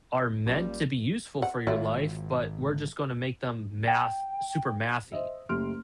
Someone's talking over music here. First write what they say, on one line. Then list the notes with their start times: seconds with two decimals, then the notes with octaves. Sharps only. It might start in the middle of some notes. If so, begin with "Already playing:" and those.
are meant to be useful for your life, but we're just gonna make them math super mathy,"
0.46 G#1 A#2 F#3 G3 A#3 C#4
1.42 F#5
1.67 G#1 F#3 E4 F4
3.88 G5
5.12 C5 D#5 E5
5.49 F#1 A3 G4 C6 F6 D7